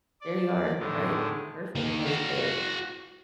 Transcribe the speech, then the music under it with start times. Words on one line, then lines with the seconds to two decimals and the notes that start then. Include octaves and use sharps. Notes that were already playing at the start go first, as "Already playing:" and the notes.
There you are, right, perfect way to say it.
0.21 D5
0.79 A2 D3 D#3 G#3
1.75 D#3 A#3
2.06 F#4 F5